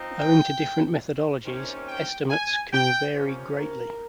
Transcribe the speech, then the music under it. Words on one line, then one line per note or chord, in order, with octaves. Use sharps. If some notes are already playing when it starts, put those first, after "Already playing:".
Owing to different methodologies, estimates can vary greatly.
Already playing: F3 C4 D#4
G5
C3 D#3 A#3 C#4
G5
G#5
G5
C3 F3 A#3 C#4
A#4